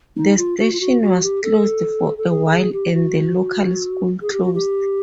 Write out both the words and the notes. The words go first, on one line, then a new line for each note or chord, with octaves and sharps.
The station was closed for a while and the local school closed.
D#4
F4
F#4
F4
F#4
F#4
G4
A4
A4
G#4
A4
G#4
G4
F#4
G#4
G4
F#4
G4